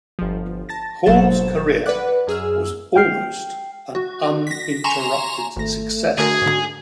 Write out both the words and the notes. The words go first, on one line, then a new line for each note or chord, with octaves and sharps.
Hall's career was almost an uninterrupted success.
G1 F3
A5 A6 A#6
G1 B2 F#3 C5 A6 E7
B4 D5 F#5 D6 F#6
F#2 G#4 E6 F6
G5 F6 C7
F#4
A#6 B6
G#5 A#5 C6 C#6 E7 F7
G#1 A3 A#6
D3 A3 F#4 G#4 A#4
G#2 D3